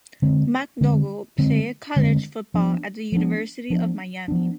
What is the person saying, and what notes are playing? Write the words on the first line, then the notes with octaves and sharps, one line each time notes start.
McDougle played college football at the University of Miami.
D3 G#3 C4
D3 G#3 C4
D3 G#3 C4
D3 G#3 C4
F3 B3 D4
F3 B3 D4
F3 B3 D4
F3 B3 D4